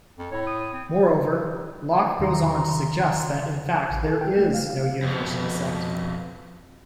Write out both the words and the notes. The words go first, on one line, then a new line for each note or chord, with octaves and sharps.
Moreover, Locke goes on to suggest that in fact there "is" no universal assent.
F2
A2 C#5
D#6
C4
E2 C3 D#3 A#5 C6
A1
A4
G5
A3
F5
F5
F2 B2